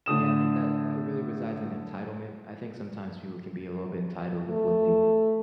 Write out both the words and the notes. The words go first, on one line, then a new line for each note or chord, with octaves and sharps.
Yeah, I think that that really resides in entitlement. I think sometimes people can be a little bit entitled of what they
A2 D3 D#6 E7
A3